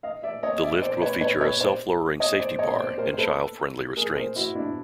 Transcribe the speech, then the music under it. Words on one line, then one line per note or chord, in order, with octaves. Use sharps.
The lift will feature a self lowering safety bar and child friendly restraints.
D#5 F5
D5 E5
C#5 D#5
D5 E5
C5 D5
B4 C#5
B4 C#5
B4 C#5
C5 D5
C#5 D#5
C5 D5
C#5 D#5
C5 D5
A#4 C5
C5
A4 B4
G#4 A#4
A#4 C5
E4 F#4
D4 E4